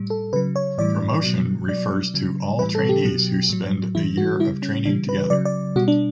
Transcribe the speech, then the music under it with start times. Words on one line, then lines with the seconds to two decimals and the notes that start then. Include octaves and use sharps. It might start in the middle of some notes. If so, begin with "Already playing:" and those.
Promotion refers to all trainees who spend a year of training together.
Already playing: A2 G3
0.10 A4
0.33 C#3 F#3 B4
0.56 C#5
0.78 A2 E3 G3 D5
1.24 B2 F#3
1.69 B2 F#3 D5
2.14 C#3 F#3
2.59 A2 E3 G3 B4
2.75 A4
2.89 G4
3.04 B2 F#3
3.49 A2 F#3
3.95 A2 E3 G3 E4
4.17 F#4
4.40 C#3 G3 E4
4.62 C#4
4.85 C#3 E3 G3 D4
5.09 B4
5.30 C#3 F#3 D5
5.45 D5
5.76 B2 G3 F#4
5.88 D4